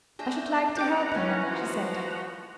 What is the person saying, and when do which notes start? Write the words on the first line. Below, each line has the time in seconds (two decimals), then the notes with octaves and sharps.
'I should like to help him,' she said.
0.19 A3 D4 G#4 E6 G6 A#6
0.77 G3 B4 F#5 G5 A#5 D6 G6
1.14 D#3 A#3 C#4 E4
1.48 F3 F#4